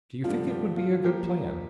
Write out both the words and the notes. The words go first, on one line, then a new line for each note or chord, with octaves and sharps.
"Do you think it would be a good plan?"
G2 D3 F3 F4
G4
F4
F3 A#3 G4